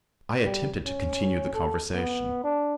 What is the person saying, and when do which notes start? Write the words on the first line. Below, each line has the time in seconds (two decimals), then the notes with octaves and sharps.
I attempted to continue the conversation.
0.45 G3
0.85 C#4
1.54 A4
1.94 B3
2.44 D4